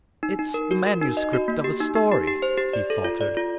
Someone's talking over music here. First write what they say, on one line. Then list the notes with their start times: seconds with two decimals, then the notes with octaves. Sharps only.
"It's the manuscript of a story," he faltered.
0.23 D#4
0.39 D#4
0.54 A#4
0.71 F#4
0.86 A#4
1.01 D#4
1.17 D#5
1.33 F#4
1.48 A#3
1.64 G4
1.80 D#4
1.95 D#4
2.11 G4
2.27 G4
2.42 C5
2.57 G4
2.73 D5
2.90 A4
3.04 F4
3.21 D5
3.37 F4